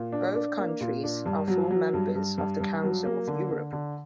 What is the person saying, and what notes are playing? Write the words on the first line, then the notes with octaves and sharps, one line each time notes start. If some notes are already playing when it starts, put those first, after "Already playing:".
Both countries are full members of the Council of Europe.
Already playing: A#2
D4
D4
A#3
A#2
D4
G2
F#3
F#3
G2
G2
G2
G2
F#3
A#3
D3
D3
D3